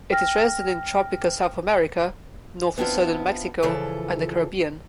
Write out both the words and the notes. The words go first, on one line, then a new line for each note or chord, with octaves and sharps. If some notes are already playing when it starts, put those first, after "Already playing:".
It is resident in tropical South America north to southern Mexico and the Caribbean.
G5 F6 A#6
B3 C4 D4 E4 F4
C#3 E3 F3 A4